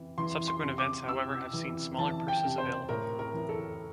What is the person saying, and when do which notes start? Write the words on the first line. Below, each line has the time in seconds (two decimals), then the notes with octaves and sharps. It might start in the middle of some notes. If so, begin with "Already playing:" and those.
Subsequent events however have seen smaller purses available.
Already playing: C3 E3
0.18 E3 C6
0.48 C6
0.63 C3
0.78 D6
1.08 C3 E6
1.53 E3
1.98 E3 A5
2.28 G5
2.44 C3
2.58 C5
2.89 A2 A#4
3.19 A#4
3.34 E3
3.49 A4